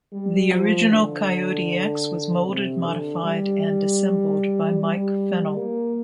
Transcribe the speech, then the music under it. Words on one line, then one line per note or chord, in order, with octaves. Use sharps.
The original Coyote X was molded, modified and assembled by Mike Fennel.
G3
F3
D3
C3
D3
G3
G3
A#3